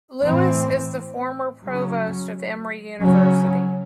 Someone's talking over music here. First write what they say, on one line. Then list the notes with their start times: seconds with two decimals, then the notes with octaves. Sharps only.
Lewis is the former Provost of Emory University.
0.25 A2 E3 C4
1.63 C#3 F#3 C#4
3.02 C#3 F#3 C#4